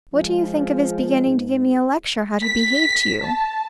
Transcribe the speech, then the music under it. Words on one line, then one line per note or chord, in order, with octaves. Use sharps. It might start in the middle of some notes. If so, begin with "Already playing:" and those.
What do you think of his beginning to give me a lecture how to behave to you?'
F3 G#3
G#2
B6
A5